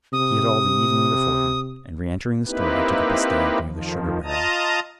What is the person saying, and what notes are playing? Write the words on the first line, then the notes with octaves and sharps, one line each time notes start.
He had all the evening before him, and reentering the store, he took up his stand near the sugar barrel.
C3 D#6
A#3 C4 D#4 E4 G4 B4
F2 D#3 F3
F4 D#5 A5 A#5 D#6